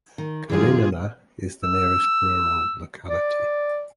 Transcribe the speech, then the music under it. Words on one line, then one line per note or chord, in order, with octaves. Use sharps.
Kalinina is the nearest rural locality.
D#3
F#2 D3 E3 F4 G4 G#4
E6
D5